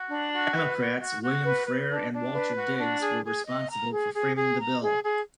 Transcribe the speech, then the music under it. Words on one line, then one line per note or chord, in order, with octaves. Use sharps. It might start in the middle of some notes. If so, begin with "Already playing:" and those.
Democrats William Frere and Walter Digges were responsible for framing the bill.
Already playing: F#4
D4
F#4
B4
F#4
F#4
F#4
B4
B4
D4
D4
B4
F#4
D4
G#4
G#4
D#5
A#5
G#4
G#4
G#4
A#5
G#4
G#4